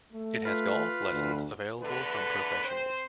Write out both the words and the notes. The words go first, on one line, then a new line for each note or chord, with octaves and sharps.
It has golf lessons available from professionals.
A3
F4 B4
D2
E2 D3 A3 B4
C4 C5